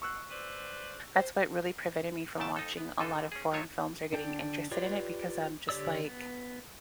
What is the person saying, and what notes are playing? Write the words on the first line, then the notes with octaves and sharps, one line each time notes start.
That’s what really prevented me from watching a lot of foreign films or getting interested in it because I’m just like,
B2 C#6 E6 F#6
B4 C5 D5
C5
F#2 A#2 C#3 A3 G5 A5
F2 D#4 A4
B3
D3 E3 D#4 F4 A4 G#5
C#4 G#4
F3 F#3 A3 F4 C#5 E5
D3 D4 G5
F4 G4 B4 C#5 D5
D3 G4 C#5 D5 E6
B3